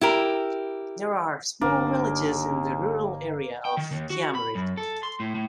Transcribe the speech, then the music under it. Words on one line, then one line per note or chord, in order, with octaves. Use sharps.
There are small villages in the rural area of Kiamari.
E4 G4 A#4
G1 D#2 D3 A#3 D4
G5
D#3
D#2
F#4
B5
F#2
A4
C6
A2
A2